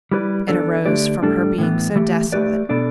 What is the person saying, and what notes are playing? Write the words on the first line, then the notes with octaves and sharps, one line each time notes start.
It arose from her being so desolate.
G3 E4 B4 D5
E3 B3 D4 A4 D5
D3 A3 G4 B4 D5
A2 G3 D4 A4
A2 E3 B3
E3 A3 G4
A3 G4 B4 D5
B2 B3 D4 A4 D5